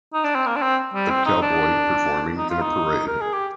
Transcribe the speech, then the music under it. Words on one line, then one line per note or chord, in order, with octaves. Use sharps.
A cowboy performing in a parade.
D#4
D4
C4
A#3
D4
C4
G3
C4
D#4
D4
D#4
F4
D#4
A#4
G#4
G4